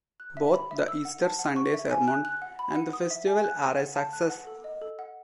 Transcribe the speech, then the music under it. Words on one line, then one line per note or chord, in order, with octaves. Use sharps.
Both the Easter Sunday sermon and the festival are a success.
F#6
E5
B5
E5
E6
F#5
A5
F#5
C#6
E5
G#5
F#6
F#6
F#5
B5
F#5
D#6
E5
G#5
F#6
D#6
F#5
A5
F#6
F#5
A4
D#5
A4
F#5